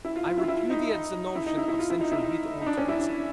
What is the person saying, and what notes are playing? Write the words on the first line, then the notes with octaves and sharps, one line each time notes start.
I repudiate the notion of central heat altogether.
E4
F4
F4
E4
F4
E4
D#4
D#4
E4
D#4
E4
E4
F4
E4
D#4
E4
D#4
D#4
D4
C#4
E4
D4